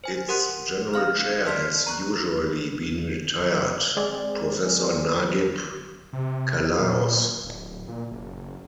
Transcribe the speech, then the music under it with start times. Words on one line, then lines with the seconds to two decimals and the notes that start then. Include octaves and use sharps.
Its General Chair has usually been retired Professor Nagib Callaos.
0.04 C5 G#5
0.28 G4 A#4 F#5 C6 F#6
0.94 C4 F5 F6
1.45 D5 D#5 A5 C6 F6 B6
1.62 C7
1.87 A#5 C#6 F#6
3.97 G#3 C4 G#4 D5
6.13 C3
6.78 A#2
7.45 D1
7.88 A#2
8.11 F#1